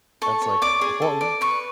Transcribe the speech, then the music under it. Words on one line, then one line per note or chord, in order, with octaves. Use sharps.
that's, like, important.
A4 C#6
C#5
D5 D6
G#4
A4
D5
B4 C#6